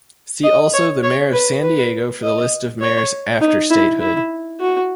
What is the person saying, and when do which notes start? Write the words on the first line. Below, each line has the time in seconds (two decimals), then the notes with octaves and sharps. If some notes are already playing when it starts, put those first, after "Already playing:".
See also the mayor of San Diego for the list of mayors after statehood.
0.44 D#5
0.73 C#5
1.03 C#5
1.33 B4
1.62 B4
2.23 D#5
2.81 C#5
3.41 D#4
3.70 E4
4.00 E4
4.60 F#4